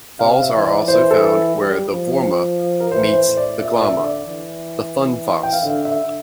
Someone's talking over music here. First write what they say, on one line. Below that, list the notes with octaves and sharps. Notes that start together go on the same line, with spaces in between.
Falls are also found where the Vorma meets the Glomma - the Funnefoss.
C3 F5
E5
E3
D5
E3 C5
A4
G3
F3
A#4
E3 C5
C5
A2
D5
A#2 E5
D5
E5
D3
D5
E3
G5
F5
D3 E5
E5